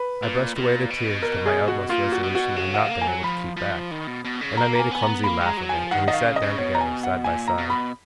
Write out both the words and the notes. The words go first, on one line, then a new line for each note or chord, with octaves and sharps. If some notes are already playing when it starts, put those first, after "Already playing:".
I brushed away the tears that my utmost resolution had not been able to keep back, and I made a clumsy laugh of it, and we sat down together, side by side.
Already playing: B4
A#2
A#2
B2
A#4
G#4
F#4
A#2 F4
F#4
B2
F#4
C#3 F#4
D#3 F5 F#5
A#3
G#5
F#3
F3 B5
F3
D#3
B2
B2
C#3
A#3 A#5
A#5
G#5
B3 G#5
A#5
A#3 B5
G#3
A#5
F#3
G#5
F3
D#3 F#5
D#3 D#5
F5
C#3
D#5
C#3
B2 C#5
A#5
G#5
F#5
A#2 G#5
A#5
B2
B5